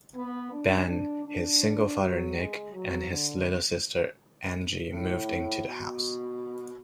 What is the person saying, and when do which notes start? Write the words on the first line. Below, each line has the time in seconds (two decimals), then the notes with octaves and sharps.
Ben, his single father Nick, and his little sister Angie move into the house.
0.14 B3
0.52 D4
0.88 D4
1.25 D4
1.99 F#3
2.35 G#3
2.72 F#3
3.08 D3
4.92 A2
5.66 B2